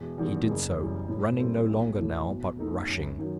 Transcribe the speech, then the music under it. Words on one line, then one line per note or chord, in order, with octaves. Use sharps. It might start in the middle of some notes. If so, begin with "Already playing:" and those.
He did so, running no longer now, but rushing.
Already playing: E1
E2 D#3 G3
F#1
F#2 E3 G3
A2
G3 C4 E4 A4
B1
A2 E3 A3
B2
A3 D#4 A4
F#2
D#3 F#3